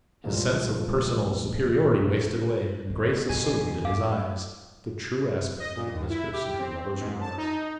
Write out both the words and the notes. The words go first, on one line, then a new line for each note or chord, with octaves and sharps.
His sense of personal superiority wasted away, and Grace assumed in his eyes the true aspect of a mistress in her lover's regard.
C2 A#2 E3 F3 G#3 A#3
B2 D3
F3 G#5
E2 F5 D6
D#5
A#2
D#2
E4
G4
C4
G#2
A5
D#4